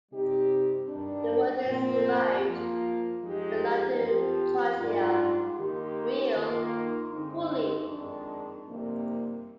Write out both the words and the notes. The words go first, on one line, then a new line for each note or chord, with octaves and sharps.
The word is derived from the Latin trochlea, 'wheel, pulley'.
C3 G3 C4 D#4 G4
G2 D#3 G3 D4
A#2 F3 C4
F3 A#3 F4
F3 G#3 D#4 G4
F3 C4 G4
G#2 G3 D4 F4
D#3 A#3 D#4 G4
D#3 A#3 F4
D3 G#3 C4 D#4
F2 D#3 G#3 D4
F2 C3 D#3 G3 A#3